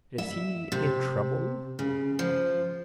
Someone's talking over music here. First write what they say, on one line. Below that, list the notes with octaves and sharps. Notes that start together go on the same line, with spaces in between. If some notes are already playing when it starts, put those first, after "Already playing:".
Is he in trouble?
E5
C3
C#3
F3